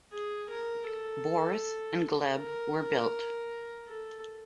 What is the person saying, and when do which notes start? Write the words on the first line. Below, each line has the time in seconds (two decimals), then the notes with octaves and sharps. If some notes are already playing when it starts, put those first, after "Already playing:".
Boris and Gleb were built.
0.13 G#4
0.50 A#4
0.88 A4
2.37 A#4
3.88 A4